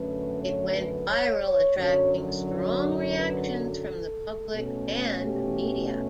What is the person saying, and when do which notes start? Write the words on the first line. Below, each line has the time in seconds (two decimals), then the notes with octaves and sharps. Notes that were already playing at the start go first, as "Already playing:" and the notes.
It went viral attracting strong reactions from the public and media.
Already playing: F#2 D3 A3 C#4 B4
0.39 C#5
0.74 B4
1.08 C#5
1.43 C#5
1.77 F#2 D3 F#3 C#5
2.47 C#5
3.16 B4
3.50 A4
4.54 B2 A3 C#4
5.23 G4